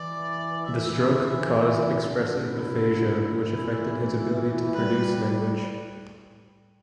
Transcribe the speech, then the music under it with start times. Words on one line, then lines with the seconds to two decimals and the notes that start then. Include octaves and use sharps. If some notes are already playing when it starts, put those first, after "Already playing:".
The stroke caused expressive aphasia, which affected his ability to produce language.
Already playing: E3 D5
0.67 E3 E5
1.12 E3
2.03 D3
2.49 E4
3.39 E3 E4
4.29 E3
4.75 G3 B4